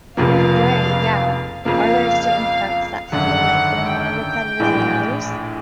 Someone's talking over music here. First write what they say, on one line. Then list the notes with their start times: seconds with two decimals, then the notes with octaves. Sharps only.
Right, yeah. Are there certain parts that feel like they're more repetitive than others?
0.17 F1 F2 C#3 F3 A#3 F5
1.65 F2 C#3 F3 A#3 F5
3.12 G#1 F#2 D3 F#5
3.86 G5
4.60 A#1 A2 E3 G#3